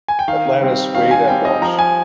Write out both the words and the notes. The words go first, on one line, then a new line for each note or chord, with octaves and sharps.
"Atlantis" weighed at launch.
G#5
G5
D#3 F5
G3 C4
D#3 F5
G#5
G3 C4 G5
D#5
F3 A#5
G#5